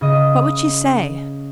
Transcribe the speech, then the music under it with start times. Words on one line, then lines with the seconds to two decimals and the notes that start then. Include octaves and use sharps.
What would she say?
0.01 C#3 D#5